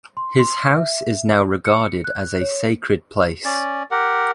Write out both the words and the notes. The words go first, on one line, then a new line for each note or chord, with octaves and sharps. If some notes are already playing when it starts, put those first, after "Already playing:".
His house is now regarded as a sacred place.
C6
C6
E5
C#7
F#6
C#5
C#4 D5
G4 A#4 F#5